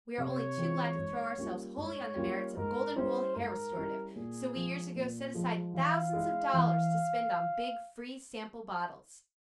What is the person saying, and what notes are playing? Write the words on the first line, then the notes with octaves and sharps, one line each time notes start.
We are only too glad to throw ourselves wholly on the merits of Golden Rule Hair Restorative, so we years ago set aside thousands of dollars to spend on big free Sample bottles.
C3 C#5
E3 G#3 C4 F4
G#2
G3 A#3 C#4 F4
G#2 C#5
G3 A#3 C#4 F4
G#2 A#4
G3 C#4 E4 C5
G#2 A#4
G3 C#4 E4
A#2 G#4
F3 G#3
A#2
F3 G#3
E3 F5
G#3 E4
E3